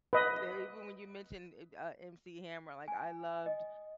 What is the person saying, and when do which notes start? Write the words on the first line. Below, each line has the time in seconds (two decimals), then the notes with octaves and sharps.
They even when you mentioned, eh uh MC Hammer, like, I loved
0.13 B4 D#5
2.88 G#5
3.46 D#5